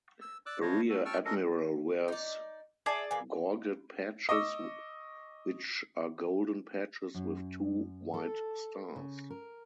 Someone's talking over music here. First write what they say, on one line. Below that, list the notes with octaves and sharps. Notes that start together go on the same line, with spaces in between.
A rear admiral wears gorget patches which are golden patches with two white stars.
E6
D5 D6 E6 F#6
D4 E4 F4 C5 C#5 D#5
F#4 A4
G5 A5 C#6 E6 F6
C#4 D4 A4 A#4 D#5
D#4 D5
E4 G#4 D5 A5
E3 A#3 G#5
D#5 C#6 D6 E6
F#2
A4
C#3
A#4